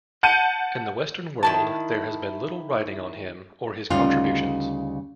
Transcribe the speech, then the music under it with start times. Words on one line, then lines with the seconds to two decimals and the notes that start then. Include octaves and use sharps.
In the Western world there has been little writing on him, or his contributions.
0.23 F#5 A5 G6 C#7 D#7
1.43 D#3 E4 A5
3.90 D2 C#3 G3 D#4 F4